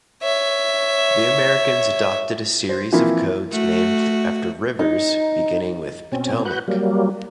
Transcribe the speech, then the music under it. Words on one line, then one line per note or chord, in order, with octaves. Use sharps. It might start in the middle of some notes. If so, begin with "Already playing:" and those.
The Americans adopted a series of codes named after rivers, beginning with "Potomac".
C#5 E5
C5
E3 F3 A#3 C4 E4
A3 F#4
D#4
B2 C4 C#4
F#4 B4 F#6 G6
F#3 G3 A#3